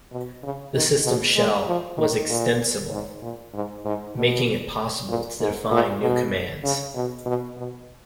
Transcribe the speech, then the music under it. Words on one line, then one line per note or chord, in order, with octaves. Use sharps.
The system shell was extensible, making it possible to define new commands.
B2
C#3
D#3
B2
G#3
F3
D#3
A#2
G#2
A#2
G#2
G#2
B2
A#2
G#2
A#2
B2
C#3
B2
B2
B2